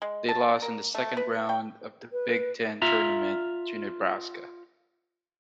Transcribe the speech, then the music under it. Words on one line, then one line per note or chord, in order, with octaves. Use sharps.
They lost in the second round of the Big Ten Tournament to Nebraska.
G#3
A5
A#4
A3
B4
G5
B4
F4 E5 A#5